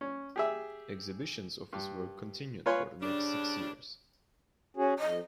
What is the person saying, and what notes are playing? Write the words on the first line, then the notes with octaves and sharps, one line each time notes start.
Exhibitions of his work continued for the next six years.
C#4
G4 G#4 E5
G2
F4 B4 C#5 G#5 C6
G2 C#3 D4
C#4 F#4 G#4
F2 D#5